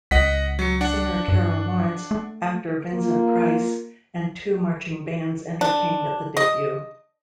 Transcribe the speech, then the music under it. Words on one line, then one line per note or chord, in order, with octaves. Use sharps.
Singer Carol Lawrence, actor Vincent Price, and two marching bands entertained at the debut.
C#2 D#5 F#5 B6
F#3 C#7
D4 F#5
G2
A3
A#3 F4
D4
D#5